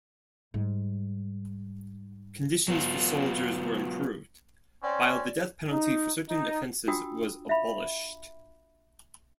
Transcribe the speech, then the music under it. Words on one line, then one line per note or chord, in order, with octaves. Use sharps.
Conditions for soldiers were improved, while the death penalty for certain offences was abolished.
G#2 G3
F#3 B3 F4
C4 C#4 D5
D#4
D#4
D4 F4 F#4 G5 D#6 E6
E5 F5 B5